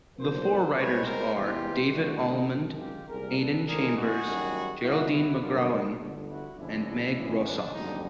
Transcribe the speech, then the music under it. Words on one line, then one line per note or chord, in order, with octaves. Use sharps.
The four writers are David Almond, Aidan Chambers, Geraldine McCaughrean, and Meg Rosoff.
B1 A#2 F3 A#4 C5
C2 B2 G#3 C4 B4 C#5
A#4 C5
E2 C3 E3 G#3 C4 F4 G4
D2 D3 G3 E4 F#4
D#4 F4
F#2 D#3 G#3
F4 G4
C2 A#2 G3 G#4 A#4
A4 B4
G#1 G#2 E3 A3 D4 G#4 A#4
F#4 G#4
F#2 D#3 G3
C2 B2 G#3 E4 F#4
E4 F#4
G2 D3 F#3 A#3 D4 D#4 F4
D4
G1 F2 D3
E4 F#4
G1 F2 C#3 F3 G#3 D4 E4
G#1 F#2 C#3 E3 G#3
D4
F#1 F2 D3 G3 D#4